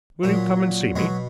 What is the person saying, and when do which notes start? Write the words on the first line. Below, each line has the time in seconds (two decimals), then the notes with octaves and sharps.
Will you come and see me?'
0.23 A#2 F#3
0.95 B2 F#3 G#3